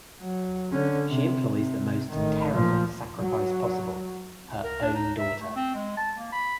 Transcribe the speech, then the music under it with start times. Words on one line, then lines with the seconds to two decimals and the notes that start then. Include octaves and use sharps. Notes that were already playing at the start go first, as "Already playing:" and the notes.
She employs the most terrible sacrifice possible: her own daughter.
0.20 F#3
0.72 D3 C#4
1.09 C3
1.52 C3
2.09 A1 D#3
2.53 A#2 F3
3.19 F#3
4.64 A#4
4.82 D4
4.95 D#4
5.18 E5
5.41 A3
5.56 C4
5.75 G#3
5.97 A5
6.18 A#3
6.32 B5